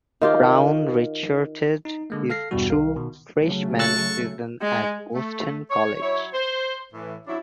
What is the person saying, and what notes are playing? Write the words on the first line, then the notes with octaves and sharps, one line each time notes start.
Brown redshirted his true freshman season at Boston College.
D#3 F4 G4
D#4
D3 G#3 A#3
A4 F5 F6 A#6 C7
E2 G2 B2 E3 G3 F#4
C2 A#4 F5
B2 D#3
C#3 F#3 A3
C#6 E6 F#6 A6
G#3
A3
C#5
F#3 E4 C#5
C5
A2 E3
F#3 C#4 D4 E4